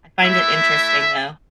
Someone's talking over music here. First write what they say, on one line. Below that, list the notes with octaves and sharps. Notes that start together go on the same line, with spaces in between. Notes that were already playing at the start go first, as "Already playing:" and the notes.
I find it interesting, though.
A3 E4 E5